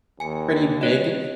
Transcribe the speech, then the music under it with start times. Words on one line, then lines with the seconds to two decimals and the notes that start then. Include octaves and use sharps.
pretty big,
0.20 D#2 G#5 C#7
0.81 G3 C#5 D#5